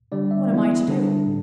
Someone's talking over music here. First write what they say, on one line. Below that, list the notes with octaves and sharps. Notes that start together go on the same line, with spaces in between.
"What am I to do?"
D3 G3 D4 D5
E5
E3 B3 E4
D3 G3 D4
A2